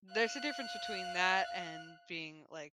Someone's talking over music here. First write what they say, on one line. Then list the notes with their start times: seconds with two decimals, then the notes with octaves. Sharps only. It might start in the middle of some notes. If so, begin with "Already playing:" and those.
there's a difference between that and being, like,
0.11 F5 F#6